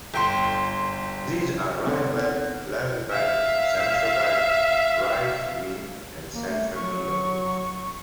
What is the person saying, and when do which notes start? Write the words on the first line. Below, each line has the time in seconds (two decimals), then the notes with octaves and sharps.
These are Right Back, Left Back, Centre Back, Right Wing and Centre Midfield.
0.14 G1 G5 C6
1.87 B3 C4 D#4 A4 C5 C#5
3.11 E5 F5
6.35 A#3
6.48 A3
6.75 F#3 C#6